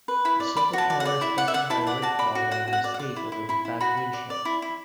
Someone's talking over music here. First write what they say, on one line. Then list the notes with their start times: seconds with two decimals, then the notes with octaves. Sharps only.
A silver car is passing by a red car that has tape over the back windshield.
0.08 B4
0.25 E4 B5
0.40 D5
0.57 D5 B5
0.73 F#4 A5
0.90 D5
1.00 F#5
1.05 D5
1.21 E4 E5
1.38 D5 F#5
1.48 E5
1.54 D5 F#5
1.70 E4 A5
1.87 D5 F#5
2.02 F#4 A5
2.19 D5 B5
2.35 F#4
2.51 F#4 F#5
2.68 F#4
2.73 F#5
2.84 D5
2.94 F#5
2.99 D5
3.16 E4
3.32 E4
3.49 E4 B5
3.65 E4
3.80 F#4 B5
3.97 F#4
4.13 D5
4.30 D5
4.45 E4
4.62 E4